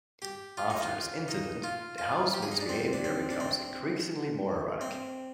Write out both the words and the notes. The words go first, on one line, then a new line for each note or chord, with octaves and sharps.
After this incident, the housemaid's behavior becomes increasingly more erratic.
G4
F4
D#4
F4
D#4
F4
F4
G4
G#4
D#4
D4
C4
D4
C4
D4
C4
C4